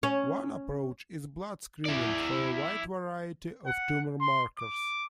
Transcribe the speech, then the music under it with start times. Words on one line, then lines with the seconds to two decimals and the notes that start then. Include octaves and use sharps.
One approach is blood screening for a wide variety of tumor markers.
0.03 C#4
1.85 E4 D5
3.66 F#5
4.21 C6
4.59 D6